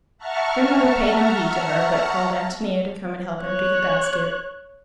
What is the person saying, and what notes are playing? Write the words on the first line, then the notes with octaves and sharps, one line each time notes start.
Grandmother paid no heed to her, but called Antonia to come and help empty the basket.
E5 F#5 A5 A#5 C#6 F6
C#5 F#6